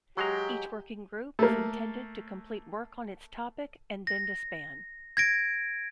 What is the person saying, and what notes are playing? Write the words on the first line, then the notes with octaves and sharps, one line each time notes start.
Each working group is intended to complete work on its topic and then disband.
F#3 G#3 G4 A#5
A3 A#3
A#6
G#6 A#6 D7